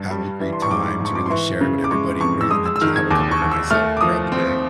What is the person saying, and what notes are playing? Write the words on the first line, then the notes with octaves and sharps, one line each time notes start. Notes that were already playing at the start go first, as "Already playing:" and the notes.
have a great time to really share with everybody or even then just have a couple for myself throughout the day.
Already playing: G2
G3
E3
C6
C#6
G#2 D6
D6
G#2 C#6
D6
C6
E3 C#6
C#3
D6
G#3 C#6
F2 C#6
E6
G#3 D#6
E6
E6
D#3 F6
G#6
D#2 D6
C#6
D#2
E6
A3 F6
D6
F3 D#6
C4